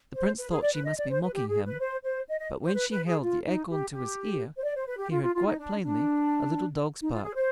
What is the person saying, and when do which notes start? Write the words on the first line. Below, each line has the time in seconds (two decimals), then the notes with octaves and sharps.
The Prince thought she must be mocking him, but when she held the acorn to his ear, he heard quite plainly a little dog's bark.
0.14 C5
0.38 B4
0.50 G#4
0.62 D5
0.73 B4
0.85 D#5
0.98 D5
1.10 C5
1.22 B4
1.33 G4
1.48 G#4
1.65 B4
1.79 C5
2.04 C5
2.28 D#5
2.39 D#5
2.63 C5
2.74 B4
2.91 B4
3.06 G#4
3.22 F4
3.45 D#4
3.69 G4
3.92 G4
4.59 C5
4.64 D5
4.75 C5
4.87 B4
4.98 G4
5.11 F4
5.22 F4
5.34 F4
5.46 D#4
5.58 D4
5.82 D4
7.01 D#4
7.12 F4
7.24 G#4
7.35 C5